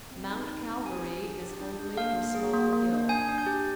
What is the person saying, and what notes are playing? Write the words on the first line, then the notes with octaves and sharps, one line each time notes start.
Mount Calvary is only a small hill.
C4
D#4
D#4
C4
G4 G#5
D4
D4
G4
D4
D4
A#3 F5
A#3
G#4
A#3
A#3
D4
D4 G#5
D4
G6
G4